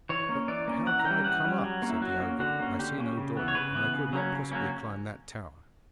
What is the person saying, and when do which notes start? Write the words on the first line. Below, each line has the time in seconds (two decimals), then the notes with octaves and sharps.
'But how can I come up?' said the ogre, 'I see no door, and I could not possibly climb that tower.'
0.09 E3 C#5
0.29 A#3 C#4
0.48 E3 D5
0.68 A#3 C#4
0.86 E3 F#5
0.99 A#5
1.05 G3 C#4 G5
1.24 E3 F#5
1.44 G3 C#4
1.64 F#3
1.82 A#3 C#4
1.90 E4
2.02 F#3 F#4
2.20 A#3 C#4
2.40 D3 F#4
2.60 A#3 C#4
2.79 D3 G4
2.98 A#3 C#4
3.17 C#3
3.37 E3 B3
3.48 C#5
3.55 C#3 B4
3.75 E3 B3
3.94 C#3
4.13 F#3 A#3 C#4
4.32 C#3
4.52 F#3 A#3 C#4